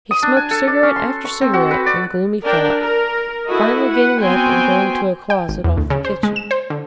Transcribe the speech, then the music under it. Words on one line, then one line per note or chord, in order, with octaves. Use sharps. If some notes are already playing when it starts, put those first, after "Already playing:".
He smoked cigarette after cigarette in gloomy thought, finally getting up and going to a closet off the kitchen.
D#6
D4
G#5
A4
D5
C#4
C6
C#6
C4
F#4
B4
D5
D4 A#4 D5 G5
A#4 A#5
E4 F#4 A4 D#5
B4 F#5
B3 C4 F#4 G5 G#5 C6
G5
G#1
E2
D2
C#3
C5
G#3
E7
C5
D3